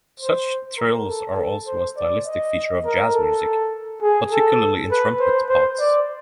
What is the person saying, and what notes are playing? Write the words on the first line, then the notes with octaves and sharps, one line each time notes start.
Such trills are also a stylistic feature of jazz music, particularly in trumpet parts.
C5
A#4
A4
A4
C5
D5
D#5
A#4
A4
G#4
A4
B4
C5
C5
D5